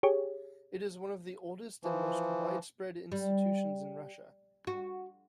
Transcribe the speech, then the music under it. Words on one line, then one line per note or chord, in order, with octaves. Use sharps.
It is one of the oldest and most widespread institutions in Russia.
G4 G#4 C#5
E3 F3
G3
F#4